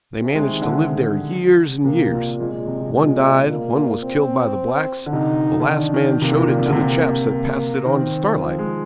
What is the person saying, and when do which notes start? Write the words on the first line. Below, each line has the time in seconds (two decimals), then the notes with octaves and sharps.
They managed to live there years and years; one died, one was killed by the blacks; the last man showed it to the chaps that passed it on to Starlight.
0.21 C3
0.35 G#3
0.48 D#3
0.62 D3
1.84 C3 A#3
2.12 A#2
2.40 A#2 G#3
2.53 A#2
2.68 C3
2.81 A#2
2.94 G#3
3.03 A#2
3.48 A#2 A#3
4.04 C4
5.06 D3
5.13 C3 D#4
5.60 D3
5.67 D#3 D4
5.94 D#3
6.22 C3 A#3
6.40 A#2
6.59 C3
6.66 D3
6.72 C3 A#3
7.31 A#3
7.85 D#3 C4
8.41 F3
8.59 G#3